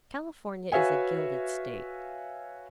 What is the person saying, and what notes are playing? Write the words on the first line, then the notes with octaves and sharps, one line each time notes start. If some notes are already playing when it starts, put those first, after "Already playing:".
California is a gilded state.
F#4 B4 C#5 E5 F5 G#5